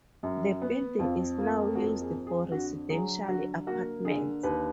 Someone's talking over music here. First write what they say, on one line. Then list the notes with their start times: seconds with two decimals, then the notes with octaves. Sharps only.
The building is now used for residential apartments.
0.23 F#2
0.62 B3
0.99 F2 F4
1.38 A#3 F4
1.75 F2 F#4
2.02 G#4
2.14 F2
2.27 G#4
2.52 D3 F#4
2.90 F#3 G#4
3.28 D3 F#4
3.67 A#3 F#4
4.04 D3 G#4
4.43 D#2 B4